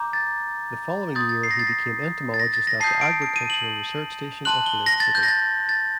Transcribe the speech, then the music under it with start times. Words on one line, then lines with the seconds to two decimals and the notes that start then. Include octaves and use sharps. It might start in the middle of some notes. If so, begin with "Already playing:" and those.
The following year, he became entomologist at the Agricultural Research station of Lake City.
Already playing: A#5 D6 G6
0.13 A6
1.15 C6 D#6 G6 A6
1.29 A6
1.43 C7
1.51 A#6
1.59 A6
1.67 A#6
2.34 A6
2.40 A#6
2.54 A6
2.67 A#6
2.80 A5 D#6 G6 C7
3.01 D7
3.22 D7
3.36 D#7
3.50 F#7
4.45 A5 C6 F#6 F#7
4.66 G7
4.86 A#6
5.00 A6
5.15 G6
5.23 A#6
5.28 A6
5.69 A6